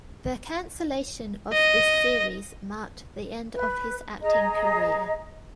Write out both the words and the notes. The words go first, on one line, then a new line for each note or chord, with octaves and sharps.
The cancellation of this series marked the end of his acting career.
D#5
B4
G#4 D#5 A#5